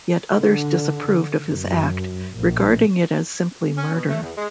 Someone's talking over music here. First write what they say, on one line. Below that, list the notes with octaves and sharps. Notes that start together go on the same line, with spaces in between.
Yet others disapproved of his act, regarding it as simply murder.
D3
F#2
A#1
C#4
B2
A3
E2
G#3